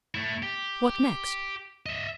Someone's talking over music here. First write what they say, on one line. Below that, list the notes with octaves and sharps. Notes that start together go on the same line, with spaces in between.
What next?
A3 E4
G4
D#5 E5